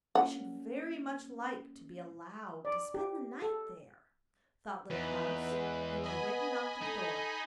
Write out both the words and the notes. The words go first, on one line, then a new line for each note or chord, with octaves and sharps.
'I should very much like to be allowed to spend the night there,' thought Little Klaus; and he went and knocked at the door.
G3 A#3 C#4 F#5
D5
G4
A4
E2 D#4 B4
G#3
B3 D#5 G#5 B5
D#4 A4